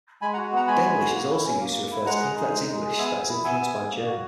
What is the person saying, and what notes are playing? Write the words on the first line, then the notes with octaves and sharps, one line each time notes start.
Denglish is also used to refer to incorrect English that is influenced by German.
G#3 G#5 B5
F#5 A#5
F#4
B3 F#5 A#5
G#3 G#5 B5
G#3
F#4
A#3
E4
C#4
A#3
A#3
E4
G#3 F#5 A#5
G#4
D#4
G#3
G#3
G#4
B3 E5 G#5
G#4
E4
B3 E5 G#5
B3
G#4
A#3
F#4